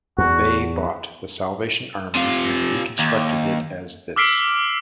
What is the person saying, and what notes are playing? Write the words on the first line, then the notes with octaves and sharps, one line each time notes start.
They bought the Salvation Army and reconstructed it as this.
E2 F#4
C3 F4
D#2
D6 E6 F6 B6 C7 D7